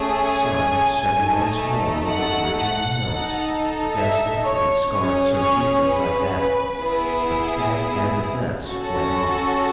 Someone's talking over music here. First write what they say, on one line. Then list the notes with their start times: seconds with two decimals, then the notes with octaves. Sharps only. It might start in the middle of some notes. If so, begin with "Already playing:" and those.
The sun was setting once more over the Virginia hills destined to be scarred so deeply by battle, but attack and defense went on.
Already playing: A3 C#4 G#4
0.22 G#5
1.15 A3 D#4 A4
2.10 F#5
3.04 D#4 A4
3.97 E5
4.44 C#5
4.91 C#4 G#4 C#5
5.38 C#5
5.85 B4
6.78 B3 E4 G#4
8.66 C#4 F#4 A4